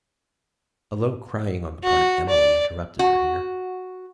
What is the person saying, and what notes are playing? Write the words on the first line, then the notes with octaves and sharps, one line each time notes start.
A low crying, on the part of Emily, interrupted her here.
F#4
D5
F#4